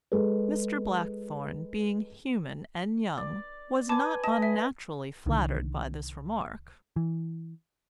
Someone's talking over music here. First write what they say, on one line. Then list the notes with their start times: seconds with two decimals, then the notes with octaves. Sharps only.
Mr. Blackthorne, being human and young, was not unnaturally flattered by this remark.
0.12 G#3 G#4 A4 B4
3.18 D5
3.89 B4 G#5 A5 D6
4.24 D#5 A5
4.42 E5
5.26 C2 D3 D#3
6.96 E3